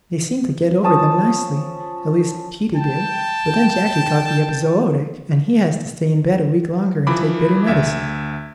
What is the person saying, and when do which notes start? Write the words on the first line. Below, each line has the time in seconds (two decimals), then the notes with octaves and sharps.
"They seemed to get over them nicely, at least Peetie did, but then Jackie caught the epizootic, and he has to stay in bed a week longer, and take bitter medicine."
0.82 F3 C#4 A5 D#6
2.74 G5 A5
7.07 E3 F3 B5 D6
7.67 D2 E5 G#6